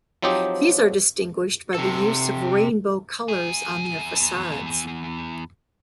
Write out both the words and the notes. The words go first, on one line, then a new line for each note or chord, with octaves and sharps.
These are distinguished by the use of rainbow colors on their facades.
F3 F#3 C4 D#4 G4
C3 A4
E2 G#4